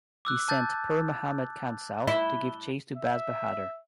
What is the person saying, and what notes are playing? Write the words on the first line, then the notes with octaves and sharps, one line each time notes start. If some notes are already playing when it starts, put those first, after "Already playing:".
He sent Pir Muhammad Khan south to give chase to Baz Bahadur.
D6 E6 F#6
A5 G6 A6
E4 G7
E5